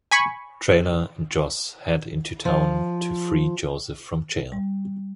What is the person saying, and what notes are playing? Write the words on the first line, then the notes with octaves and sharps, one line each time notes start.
Traylor and Joss head into town to free Joseph from jail.
G#5 B5 C#6
F3
G3